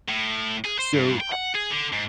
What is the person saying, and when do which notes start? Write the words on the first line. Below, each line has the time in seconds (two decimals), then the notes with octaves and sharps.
so I
0.09 A2
0.65 G#4
0.79 C5
0.93 G2
1.21 G5
1.32 F#5
1.55 G#4
1.71 D3
1.93 G#2